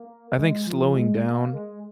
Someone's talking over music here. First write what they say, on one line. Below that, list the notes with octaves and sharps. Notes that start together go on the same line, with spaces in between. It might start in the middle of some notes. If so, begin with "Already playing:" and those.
I think slowing down
Already playing: A#3
G#3
F3
G#3
A#3
G#3